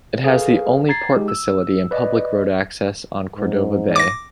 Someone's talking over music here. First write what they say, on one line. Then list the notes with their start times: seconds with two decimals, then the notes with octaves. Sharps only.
It has the only port facility and public road access on Cordova Bay.
0.24 G#4 A4 B4 F5
0.89 A#5 G#6 A6 C7
1.14 G#3 D#4 G4 G#4
1.28 E6
1.91 B4 D5 D#5
3.37 G#2
3.96 D6 A#6